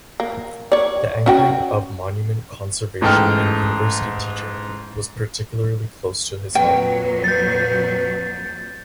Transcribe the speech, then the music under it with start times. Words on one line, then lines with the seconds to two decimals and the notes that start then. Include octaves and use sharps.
The anchoring of monument conservation in university teaching was particularly close to his heart.
0.20 A#3
0.72 C#5 D5
1.26 C#4 F#4 G5
3.01 A1 G#2 A4 G5 A5 F6
6.55 F2 A#2 F#3 B4 G5
7.24 G6 A6